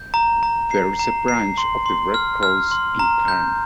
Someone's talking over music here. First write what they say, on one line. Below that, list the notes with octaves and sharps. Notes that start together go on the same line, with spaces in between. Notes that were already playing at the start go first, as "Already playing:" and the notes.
There is a branch of the Red Cross in Karen.
Already playing: G6
A#5
A#5
C7
A#5
C7
C6
C6
F6
F6
C6
A#5
G6